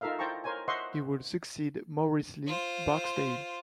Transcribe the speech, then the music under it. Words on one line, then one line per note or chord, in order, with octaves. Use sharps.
He would succeed Maurice Lee Barksdale.
D#4 F4 A4 A#4 E5 F5
E4 C5 G5 A5 A#5 C#6
A#4 C5 C#5 G#5
C5 D#5 E5 F#5 C6 C#6
F4 C5